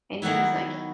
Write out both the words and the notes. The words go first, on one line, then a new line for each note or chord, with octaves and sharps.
and he was like
D#3 F#3 B3 E4